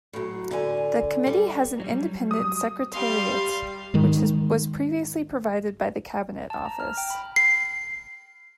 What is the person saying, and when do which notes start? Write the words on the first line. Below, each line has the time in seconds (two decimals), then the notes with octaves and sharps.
The committee has an independent secretariat which was previously provided by the Cabinet Office.
0.13 A2 F#3
0.51 D3 G#5
1.27 G3
1.80 F#3 G3
2.31 D#6
2.93 G3 F5 C6
3.94 G#2 D#3 G#3
6.50 A5
6.65 A#5
6.80 F6
6.97 G5
7.10 B5
7.36 C7